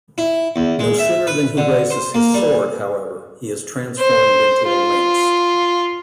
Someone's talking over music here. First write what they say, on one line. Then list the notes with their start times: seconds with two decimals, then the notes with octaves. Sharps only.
No sooner than he raises his sword, however, he is transformed into a lynx.
0.18 E4
0.56 E2
0.79 G#3
0.99 E5
1.27 B4
1.57 D3
1.91 C5
2.14 A#3
2.34 G3
3.99 C5
4.68 F4